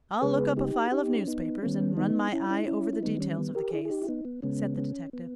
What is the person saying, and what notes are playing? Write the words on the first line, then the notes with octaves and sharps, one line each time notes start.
"I'll look up a file of newspapers, and run my eye over the details of the case," said the detective.
C#3 G#3 B3 G#4 B4
D#4 G4
D#4 G4
C#4
B3 D#4
D#3 G3 B3 C#4
B3 D#4
C#4 E4
C#4
D#4
C#4 E4
E4
D#3 G3 B3 D#4
C#4
B3
G4 A#4
E4 G#4
G#4
D#4 G4
E4
B3 D#4
B3
C#3 G#3 B3 C#4
C#4
B3